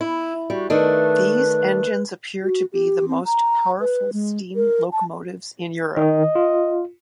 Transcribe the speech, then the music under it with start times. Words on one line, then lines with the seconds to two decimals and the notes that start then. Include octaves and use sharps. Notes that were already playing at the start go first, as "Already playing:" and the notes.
These engines appear to be the most powerful steam locomotives in Europe.
0.01 E4
0.50 G3 F#4
0.70 D#3 A3 D4 B4
2.43 F#4
2.73 G4
3.08 C4
3.25 A#5
3.80 B4
4.13 G#3
4.56 A#4
4.92 A5
5.97 D#3 D#5
6.35 F4